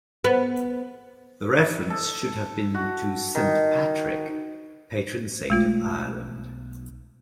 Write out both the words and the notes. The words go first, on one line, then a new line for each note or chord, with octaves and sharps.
The reference should have been to Saint Patrick, patron saint of Ireland.
B3
A4
F#4
D#3
B1 G#3 A3 F4